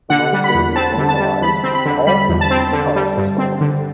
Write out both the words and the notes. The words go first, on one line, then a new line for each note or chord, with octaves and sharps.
The monastery was vandalized and all food and two cars were stolen.
D3 F#5
G3
B5
E2
C4 A5
D3
A5
G3
E2 B5
C4
B5
D3
G3 B5
E2
A5
C4
D3
G3
G2
C4
D3